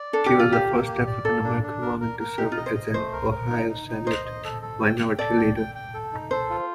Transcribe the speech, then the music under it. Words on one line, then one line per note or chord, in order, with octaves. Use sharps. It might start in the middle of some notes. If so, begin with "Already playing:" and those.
She was the first African-American woman to serve as Ohio Senate minority leader.
Already playing: D5
D4 A4
G4
D5
F4
A#3 G4
A#3
G4
D5
A#3 A4
D4
D4
A#4
A#4
A#4
D#4 G4
F4
D#5
C5
D#5
A3 C5
A#4
A#4
D#4
D#4
D#4
C5 D#5
D#5
A4
A4
G5
G5
A4 D5
G5
G5
G5
A4
D#4
A4 C5
F4